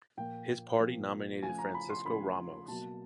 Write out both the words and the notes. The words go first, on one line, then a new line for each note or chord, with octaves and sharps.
His party nominated Francisco Ramos.
A#2 F3 A#3 G5
A#2 F3 A#3
C#3 F3 A3 G#5
A#5
B5
C6
C#3 F3 A3 B5
B2 F#3 A#3 A5